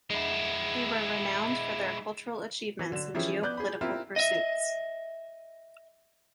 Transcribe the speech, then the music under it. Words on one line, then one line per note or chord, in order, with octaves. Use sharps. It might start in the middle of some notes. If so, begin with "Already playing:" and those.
They were renowned for their cultural achievements and geopolitical pursuits.
G#3 E4
E3
D3 F#3 E7
E3 F3 C#4 E4 G4 G#4
B3 D5 F#6 G6
G#4 B5
C4 E4 F4 G4 A#4
D#5 E5